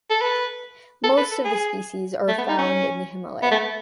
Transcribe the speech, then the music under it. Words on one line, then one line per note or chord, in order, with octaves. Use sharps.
Most of the species are found in the Himalaya.
A4
B4
A4
B4
A4
G#4
A3
B3
D#4
C#4
B3
A3